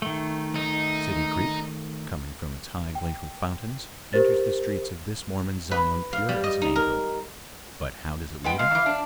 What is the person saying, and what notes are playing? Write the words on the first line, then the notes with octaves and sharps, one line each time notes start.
City Creek, coming from its high glacial fountains, enters the streets of this Mormon Zion pure as an angel, but how does it leave it?
D#3 A3
D#4
G5
G4 A#4 C5 A6
B4
F5
G3
D#5
D#4
A#4
G#3 B3 G5
G#3 F5
D#3 E3
D4